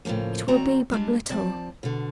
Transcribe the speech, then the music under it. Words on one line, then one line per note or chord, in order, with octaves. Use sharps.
It will be but little.'
A2 C#3 E3 F3 A#3
D#2 C4 F#4 D5 A#5
G3 G#3 D4
F3 C4 D5 A5
B2 D3